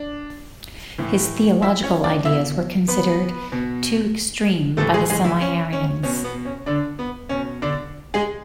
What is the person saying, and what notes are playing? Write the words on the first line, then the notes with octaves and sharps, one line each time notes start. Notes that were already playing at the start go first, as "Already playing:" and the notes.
His theological ideas were considered too extreme by the Semi-Arians.
Already playing: D4
A2 E3
E4 E5
C#4 C#5
D4 D5
B2 E4 E5
B3 B4
B2
A2 E3 A3 A4
G#3 G#4
G#3 G#4
E3 E4
C#4
C#4
B2 C#4
B3
C#4
D3 D4
B3
B2 C#4
D3 D4
G#3 G#4